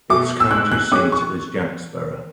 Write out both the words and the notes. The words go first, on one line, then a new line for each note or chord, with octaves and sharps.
Its county seat is Jacksboro.
B2 A3 D6
E6
G#2 F#6
F#6
G#3 C#4 D6
C#6